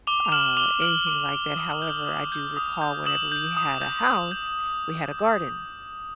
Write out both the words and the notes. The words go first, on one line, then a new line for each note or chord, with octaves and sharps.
uh, anything like that, however, I do recall whenever we had a house, we had a garden.
D6 F7 G7
F7
F6 E7 F#7
D6 F7 G7
F6 E7 F#7
D6
F6
D#6
G6
D#6
G6
D#6
G6
D#6 E7 F#7
G6
D#6
G6
D#6
G6